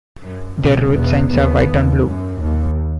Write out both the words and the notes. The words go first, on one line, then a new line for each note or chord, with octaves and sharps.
Their road signs are white on blue.
F#2
C2 B2
E2 B2 B3
D#2 B3
D#2
F#2
D#2